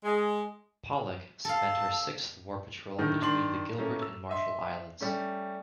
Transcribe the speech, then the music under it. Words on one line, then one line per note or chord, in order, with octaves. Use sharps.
"Pollack" spent her sixth war patrol between the Gilbert and Marshall Islands.
G#3
A4 F5 A5
A2 D3 D#3
D#3 D4 C6 F#7
A2 A3 A#3 C#4
E6
D#5 E5 C6
G3 A3 C#4